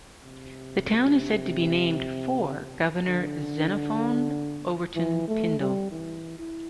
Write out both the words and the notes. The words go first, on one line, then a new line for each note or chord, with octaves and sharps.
The town is said to be named for Governor Xenophon Overton Pindall.
C3
D3
E3
A3
G3
E3
E4